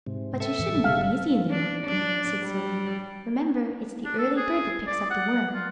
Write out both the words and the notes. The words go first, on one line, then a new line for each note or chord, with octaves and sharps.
"But you shouldn't be lazy in the morning, Bruno," said Sylvie. "Remember, it's the early bird that picks up the worm!"
G#2 C3
A4 E5
G#2 E3 F3
F#1 B2 G3
G1 C#3 G#3 F5
D4
D4
G3
D4
A4
G#4
D5
F#5
F4